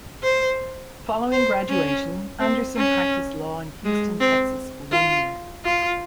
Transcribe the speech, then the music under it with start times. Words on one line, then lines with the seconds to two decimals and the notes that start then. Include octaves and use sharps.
Following graduation, Anderson practiced law in Houston, Texas for one year.
0.23 C5
1.32 C5
1.69 C#4
2.40 C4
2.77 C#4
3.85 G#3
4.20 C4
4.92 F4
5.65 F4